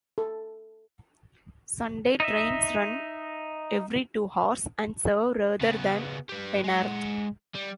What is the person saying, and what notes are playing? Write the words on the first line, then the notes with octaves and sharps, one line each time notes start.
Sunday trains run every two hours and serve rather than Penarth.
A4
D#4 D#5 E5
C#3 B3
G4 B4
G#3 F#5
G3